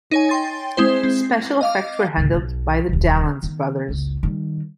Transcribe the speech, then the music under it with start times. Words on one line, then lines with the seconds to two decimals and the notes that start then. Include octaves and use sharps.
Special effects were handled by the Dallons brothers.
0.11 D#4 C#5 G#5
0.29 G5 C6 A6
0.77 G#3 C4 E4 C5
1.03 C4
1.61 D#5 F5 D6
2.17 C#2 A2
2.34 B1
2.89 D#1 C2
3.43 D#3 B3
3.88 F#1 C#2
4.23 D#3 G3